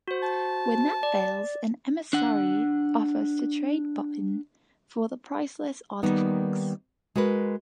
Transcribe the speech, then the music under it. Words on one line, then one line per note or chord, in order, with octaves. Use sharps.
When that fails, an emissary offers to trade Barton for the priceless artifacts.
F#4 C5
A5
D5
D4 F#5
D#3 G3 A#3 B3 D#4
G#3 F#4 A#4 B4